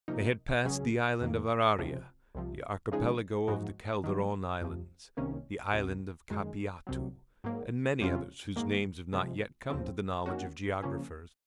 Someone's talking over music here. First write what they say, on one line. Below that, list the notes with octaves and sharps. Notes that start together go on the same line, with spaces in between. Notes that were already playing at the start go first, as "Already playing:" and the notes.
They had passed the island of Araria, the Archipelago of the Calderon islands, the island of Capiatu, and many others whose names have not yet come to the knowledge of geographers.
C3 F3 A#3 D#4
C#2 C#3 F#3 C#4 G#4
F2 D#3 A#3
C#2 C3 F3
C2 C3 F3
C#3 F3 G#3 D#4 G#4
G#2 F3 G#3 D#4 F#4
D#3 F#3 A#3
F2 C3 F3
C2 C3 D#3 A#3 C#4
C#2 C3 F#3
F#2 D#3 G#3
C2 C3 F#3
G#2 F#3 A#3
F2 C3 F#3 C#4 F4
G#2 D#3 A#3
C3 F3 G#3
D#2 C#3 F3 C4
D#3 A#3 C#4 F#4
C#3 F3 A#3 C#4